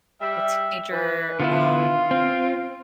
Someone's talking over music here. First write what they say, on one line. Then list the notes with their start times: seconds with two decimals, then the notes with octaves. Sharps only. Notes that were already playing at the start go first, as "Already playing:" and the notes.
a teenager, um,
0.21 G3 E5
0.92 E3 B4
1.40 D3 B3 E4 F4
2.11 C4